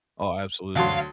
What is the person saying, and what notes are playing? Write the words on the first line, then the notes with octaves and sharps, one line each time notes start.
Oh, absolutely.
D2 F#3 F5 C6